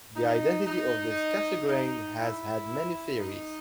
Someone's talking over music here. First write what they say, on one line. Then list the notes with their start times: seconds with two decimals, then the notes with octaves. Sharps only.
The identity of this "Cassegrain" has had many theories.
0.16 D#4
0.67 D#4
1.68 D#4
2.18 E4
3.19 D#4